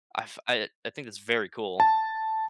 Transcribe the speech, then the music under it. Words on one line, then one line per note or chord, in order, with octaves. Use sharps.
I f I, uh I think it's very cool.
A5